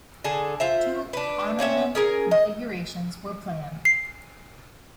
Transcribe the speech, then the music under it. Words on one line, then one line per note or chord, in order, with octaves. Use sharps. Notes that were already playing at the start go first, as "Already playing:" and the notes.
Two armament configurations were planned.
D3 G#4 A4
F4 C5 E5
D4 B4
C4 C#4 C#5 E5
C#4 G#4 A#4
D#5
C7